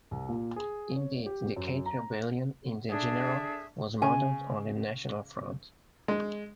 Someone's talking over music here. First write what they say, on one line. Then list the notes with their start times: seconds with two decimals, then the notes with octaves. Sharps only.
Indeed, the Cade rebellion in general was modelled on the National Front.
0.11 C2
0.29 A#2
0.56 G#4
0.96 C#5
1.26 G4
1.56 F#2
1.86 A#5
2.89 D4 G#4 A4 E5
4.02 C#3 G#5
6.08 G#3